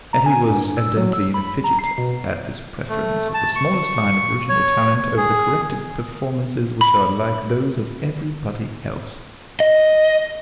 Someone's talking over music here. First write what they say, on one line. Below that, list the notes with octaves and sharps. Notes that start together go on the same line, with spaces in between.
Etty was evidently in a fidget at this preference of the smallest line of original talent over the corrected performances which are like those of every body else.
A#5
G#5
G2
E6
F#3
E6
B5
A#5
C7
B2
A3
A5
C#6
C#5
G#4
B5
D#5